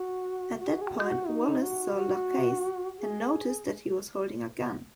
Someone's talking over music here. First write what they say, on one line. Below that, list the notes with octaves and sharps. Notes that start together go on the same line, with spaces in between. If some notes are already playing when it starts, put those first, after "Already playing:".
At that point Wallace saw Lacaze, and noticed that he was holding a gun.
Already playing: F#4
F#4
G#4
F#4
G#4
F#4
G#4
F#4
D#4
F#4
F#4
G#4